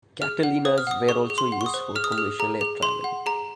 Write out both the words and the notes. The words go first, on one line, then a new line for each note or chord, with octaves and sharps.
Catalinas were also used for commercial air travel.
G#4 F6
F#5
C5 D#6
F6
F#5 D#6
G#4 C#6
G#4
C6
F#5
C#6
D#6
C5
G#4 F6
D#6
F6
G#4
G#4 A#5
G#4
G#4 C6
F#5
G#4 A#5